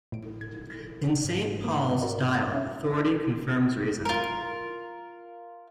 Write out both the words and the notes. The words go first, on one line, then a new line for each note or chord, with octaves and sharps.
In Saint Paul's style authority confirms reason.
A2 D7
G#6
G#2
A#3
F#4 A#4 D5
C#4 E5
F4 A#4